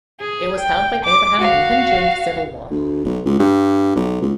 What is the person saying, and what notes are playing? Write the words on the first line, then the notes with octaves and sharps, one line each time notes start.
It was held by Abraham Lincoln during the Civil War.
G#4
G5
D6
F#4 F5
D2
B1
C#2
G2
B1
C#2